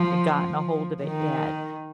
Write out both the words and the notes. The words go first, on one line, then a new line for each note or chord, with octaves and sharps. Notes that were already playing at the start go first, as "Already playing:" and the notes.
gotten ahold of it yet."
Already playing: F3
D#3